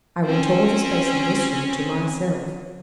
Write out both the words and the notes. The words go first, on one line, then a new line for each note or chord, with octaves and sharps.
I want all the space in this room to myself!
C4 C#4